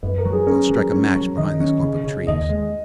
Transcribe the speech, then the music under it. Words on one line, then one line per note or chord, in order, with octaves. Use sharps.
I'll strike a match behind this clump of trees.
F#2 B4
A#4
F#3
G#4
C#4 A#4
F#3
C#4
F#3
D#3 D#5
C#4
C#3
C#3
D#2 D#5
G#3